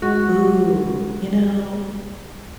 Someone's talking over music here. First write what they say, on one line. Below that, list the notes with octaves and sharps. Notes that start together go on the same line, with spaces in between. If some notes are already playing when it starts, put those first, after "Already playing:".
Ooh, you know,
G#3 F#4